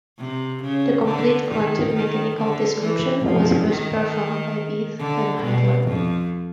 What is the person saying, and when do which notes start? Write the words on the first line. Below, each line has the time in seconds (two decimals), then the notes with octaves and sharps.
The complete quantum mechanical description was first performed by Bethe and Heitler.
0.18 C3
0.62 C#3
1.05 D3
1.49 D#3
1.94 D#3
2.37 D3
2.81 E3
3.24 F3
3.69 D#3
4.99 D3
5.43 B2
5.87 F2